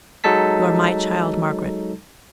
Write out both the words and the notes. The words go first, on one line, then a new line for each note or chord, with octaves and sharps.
You are my child, Margaret.
F#3 G#3 D#4 A4 A5 B6